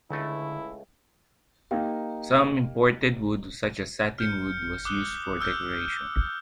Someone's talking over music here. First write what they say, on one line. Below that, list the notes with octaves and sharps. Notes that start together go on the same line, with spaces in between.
Some imported wood such as satinwood was used for decoration.
C#2 D3 A3 E4
A#3 D#4 G4 F5 G5
F6 G6 C#7
D6 D#6 F#6 G7
E6 F6 G6 G7